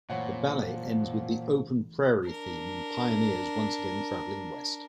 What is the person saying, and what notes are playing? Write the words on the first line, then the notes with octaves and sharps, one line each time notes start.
The ballet ends with the 'open prairie' theme and pioneers once again travelling West.
F#1 A#2 E3 F3 A3 C#5 F#5
D4 A#4